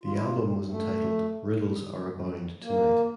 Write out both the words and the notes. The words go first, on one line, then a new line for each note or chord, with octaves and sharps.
The album was entitled "Riddles Are Abound Tonight".
F4
E4
F4
A3
A#3